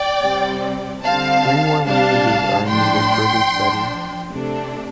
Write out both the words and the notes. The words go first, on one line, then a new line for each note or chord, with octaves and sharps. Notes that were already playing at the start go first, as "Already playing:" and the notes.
Three more lineages are in need of further study.
Already playing: D5 G5
C3 G3 C4
D3 G3 C4 F5 A5
C3 G3 D4 F5 A5
A2 F3 D4 G5 C6
F3 D4
C3 A3 D4